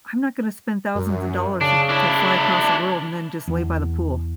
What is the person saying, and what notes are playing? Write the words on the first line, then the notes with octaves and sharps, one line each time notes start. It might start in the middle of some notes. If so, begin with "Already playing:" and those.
I'm not gonna spend thousands of dollars to to fly across the world and then just lay by the pool.
F#2
C#3 D4
D4 E4
E2